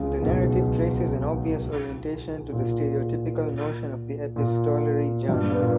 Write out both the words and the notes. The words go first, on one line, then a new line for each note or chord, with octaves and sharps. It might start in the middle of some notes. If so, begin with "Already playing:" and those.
The narrative traces an obvious orientation to the stereotypical notion of the epistolary genre.
Already playing: C#2 C#3
B1 B2
A#2
A#2
G2 G3
B3
A#2 A#3